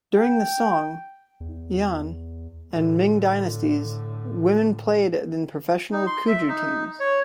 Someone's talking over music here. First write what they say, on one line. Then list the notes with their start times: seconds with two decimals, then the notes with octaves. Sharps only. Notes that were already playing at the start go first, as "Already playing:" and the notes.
During the Song, Yuan, and Ming dynasties, women played in professional Cuju teams.
0.15 G5
1.40 E2
2.70 A2 D3
5.92 D#4
6.07 C6
6.28 E5
6.49 D#4
7.00 C#5